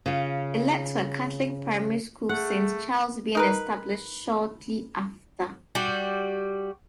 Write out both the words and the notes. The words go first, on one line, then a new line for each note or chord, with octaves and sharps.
It led to a Catholic primary school Saint Charles being established shortly after.
C#3 F4
A3 G#4 F#5
D#4 A#4 B4
G3 F#4